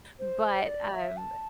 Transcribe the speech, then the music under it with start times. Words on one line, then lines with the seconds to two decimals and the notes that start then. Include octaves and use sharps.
but, um,
0.19 C5
0.60 D#5
0.68 D5
0.93 E5
1.17 A5